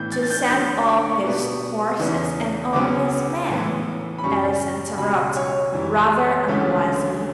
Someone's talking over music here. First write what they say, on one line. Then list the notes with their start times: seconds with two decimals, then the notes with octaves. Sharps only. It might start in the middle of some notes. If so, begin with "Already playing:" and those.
'To send all his horses and all his men,' Alice interrupted, rather unwisely.
Already playing: A2 E3 B3 G6
0.12 A6
0.23 A6
0.30 G6
0.49 D2 D3 F#3 G6
0.86 D6
0.97 D6
1.05 C#6
1.23 B2 G3 B3
1.99 E2 C#3 E3 B3
2.73 C#2 C#3 F#3 B3 D6
3.49 A2 E3 B3
4.18 B5
4.23 F#2 C#3 G3 C#6
4.97 C#2 B2 G3 B5
5.36 C#5
5.72 F#2 E3 G3 C#4
6.48 D2 C#3 E3 A3 C#4